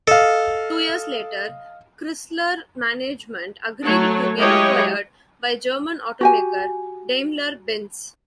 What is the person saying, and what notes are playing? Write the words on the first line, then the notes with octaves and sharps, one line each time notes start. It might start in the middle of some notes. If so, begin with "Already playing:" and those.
Two years later, Chrysler management agreed to be acquired by German automaker Daimler-Benz.
A4 D#5 F5
F#3 A3 A4 C#5
F#3 G#3 E4 G4 C#5 D#5
F#4 G4 G#5